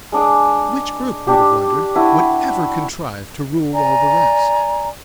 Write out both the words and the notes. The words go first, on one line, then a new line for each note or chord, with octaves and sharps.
Which group, we'd have wondered, would ever contrive to rule all the rest?
G#3 D4 D6 D#6
D4 G4
D4 E4 F#4 B4
D5 G#5 A#5